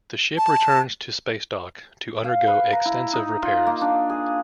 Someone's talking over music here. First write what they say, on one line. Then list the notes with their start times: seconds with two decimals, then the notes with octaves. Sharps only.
The ship returns to spacedock to undergo extensive repairs.
0.38 A5
2.24 F5
2.47 B4
2.73 A#5
2.85 E4
3.13 D#4
3.42 F4
3.67 A#3
3.81 D4
4.10 G#4